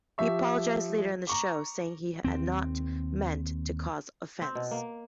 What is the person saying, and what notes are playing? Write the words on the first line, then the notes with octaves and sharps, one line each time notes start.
He apologised later in the show, saying he had not meant to cause offence.
F3 G4 E5 C#6
A#5 C#6 D6
D#2 C4
C4
B2
A#3